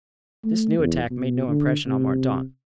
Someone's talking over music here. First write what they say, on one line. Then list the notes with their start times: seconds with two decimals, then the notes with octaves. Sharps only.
This new attack made no impression on Mordaunt.
0.44 A3
0.78 E2
1.10 B2
1.48 D3
1.87 C3